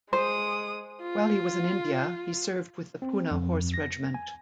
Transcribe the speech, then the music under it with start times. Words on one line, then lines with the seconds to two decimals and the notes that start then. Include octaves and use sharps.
While he was in India he served with the Poona Horse regiment.
0.13 G#3 C5 D#6
1.02 F4
3.02 C4
3.31 F2
3.74 A#6
4.14 G#5